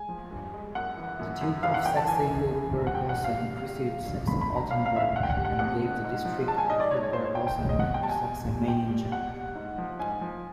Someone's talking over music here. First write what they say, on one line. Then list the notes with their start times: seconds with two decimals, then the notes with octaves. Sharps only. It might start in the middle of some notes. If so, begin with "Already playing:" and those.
The Duke of Saxe-Hildburghausen received Saxe-Altenburg, and gave the district of Hildburghausen to Saxe-Meiningen.
Already playing: G#3 G#5
0.09 F3
0.31 G2
0.54 G#3
0.75 F#2 F#5
0.97 E3
1.19 F#2
1.41 F#2
1.63 E3 F5
1.74 F#5
1.85 F#2 G5
1.97 A5
2.07 E3 G#5
2.30 C#3
2.51 E3
2.73 G2
2.87 F#5
2.95 G3 G5
3.09 F#5
3.17 G2
3.24 F5
3.39 G2
3.61 G3
3.84 G3
4.05 G2
4.27 F2 B5
4.41 B5
4.49 D3
4.56 A#5
4.71 F2 F5
4.86 F5
4.93 D3 E5
5.00 F5
5.16 D3 F#5
5.23 G5
5.30 F#5
5.37 G3
5.45 F#5
5.59 F2 F#5
5.82 D3
6.04 G#2
6.25 F3
6.47 G#3 A5
6.58 G#5
6.69 G#2 D#5
6.80 D5
6.91 G#2 C#5
7.03 C#5
7.13 G#2 C5
7.25 C#5
7.35 G#2 G5
7.47 G5
7.58 G#3
7.69 D#5
7.80 B2 F#5
7.94 G5
8.01 G3 A5
8.09 G#5
8.23 B2
8.46 G3
8.68 G3 G5
8.89 G3
9.11 B2 F#5
9.33 G3
9.55 G#2
9.78 F3
9.99 G#2 G#5
10.21 F3